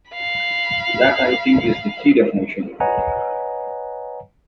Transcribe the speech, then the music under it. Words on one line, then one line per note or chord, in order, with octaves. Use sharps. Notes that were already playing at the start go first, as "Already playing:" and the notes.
That, I think, is the key definition.
F5 B5
B4 C#5 D#5 F#5 G#5 A#5